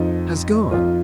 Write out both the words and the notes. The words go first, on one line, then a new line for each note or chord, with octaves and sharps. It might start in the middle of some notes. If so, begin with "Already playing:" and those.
"Has gone."
Already playing: F2 F3 D#4
F2 F3 F4